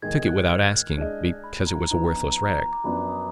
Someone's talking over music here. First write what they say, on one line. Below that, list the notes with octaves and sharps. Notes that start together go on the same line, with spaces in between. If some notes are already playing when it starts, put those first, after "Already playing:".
I took it without asking, because it was a worthless rag.
G#2 D#3 G#3 G#6
F#6
F6
F#6
G#3 D4 G#4 D#5
B5
A#5
F3 B3 D#4 A#5
A#5
A#5
D6
F#2 F3 B3 D4 B5
D6
D#6